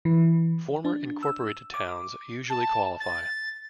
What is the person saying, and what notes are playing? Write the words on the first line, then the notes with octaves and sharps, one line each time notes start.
Former incorporated towns usually qualify.
E3
D4
E6
D6
A5
A6